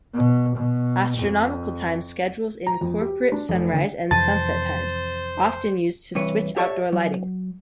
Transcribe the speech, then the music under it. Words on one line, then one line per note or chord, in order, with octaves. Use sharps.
Astronomical time schedules incorporate sunrise and sunset times, often used to switch outdoor lighting.
B2
B2
F2
A#5
F2
G4
D4
F1
D3
F2 C3 E3 C5 A5 A6
G2 C3 E3 B4 C#5
G4 A4 C#5 D5 E5
F#3